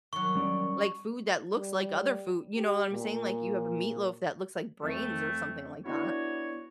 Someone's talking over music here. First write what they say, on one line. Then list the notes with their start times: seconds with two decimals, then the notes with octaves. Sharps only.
like, food that looks like other food, you know what I'm saying? Like, you have a meatloaf that looks like brains or something like that.
0.13 D#3 F#3 C#6
0.35 G3 C#4 D5
1.53 G3
2.57 G4
2.91 A#2
4.83 F2 A3
5.85 B3 D4 E4 F#4 C#5